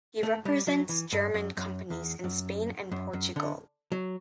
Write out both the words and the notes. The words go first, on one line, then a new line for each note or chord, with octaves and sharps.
He represents German companies in Spain and Portugal.
A3
G3
F#3
E3
G2
F#2
F#2
E2
F#2
F#2
F#2
D3
F#3